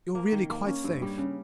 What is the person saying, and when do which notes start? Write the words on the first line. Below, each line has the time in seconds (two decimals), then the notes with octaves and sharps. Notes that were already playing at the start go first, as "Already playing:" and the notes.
You're really quite safe.
0.15 A#3
0.32 D#3
0.50 A#3
0.66 C#4
0.84 G2
1.02 G3
1.18 C#3